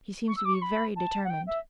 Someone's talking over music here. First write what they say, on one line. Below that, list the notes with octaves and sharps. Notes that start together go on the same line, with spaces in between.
He seems to be very determined.
C#6
E6
D6
C#6
B5
A5
F#5
G5
E5